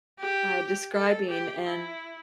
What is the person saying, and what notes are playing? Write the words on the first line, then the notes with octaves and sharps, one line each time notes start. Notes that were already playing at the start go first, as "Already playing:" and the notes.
uh, describing, and
G4
A4
G4
E4